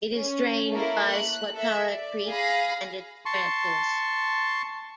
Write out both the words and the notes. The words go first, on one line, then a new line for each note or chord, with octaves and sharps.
It is drained by Swatara Creek and its branches.
C#4
A3 A#3 E4 A#4
F#6
A4 E5
D5
G#4 F5 B5 A#6
A5 C6 C#6